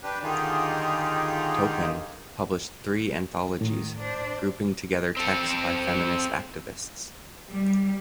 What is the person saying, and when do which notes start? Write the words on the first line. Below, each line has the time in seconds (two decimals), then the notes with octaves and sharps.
Toupin published three anthologies grouping together texts by feminist activists.
0.03 D4 G4 B4
0.23 D3 D#3 D#4 F4 G4 G#4
3.61 A2 D#3
3.98 D4 C5
5.17 C4 A4
7.51 G3